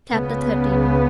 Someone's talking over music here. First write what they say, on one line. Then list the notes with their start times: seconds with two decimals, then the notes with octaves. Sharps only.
Chapter XIII.
0.13 C#2 C#3 B3